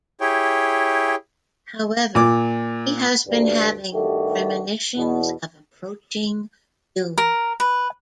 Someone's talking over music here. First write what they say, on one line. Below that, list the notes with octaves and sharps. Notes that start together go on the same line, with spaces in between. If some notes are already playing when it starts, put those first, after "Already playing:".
However, he has been having premonitions of approaching doom.
E4 G4 G#4 C#5 G5
A#2 D6
D2 G2
G2 D#3 A3 F#4 G4 A4
E2 B2
A#4
B4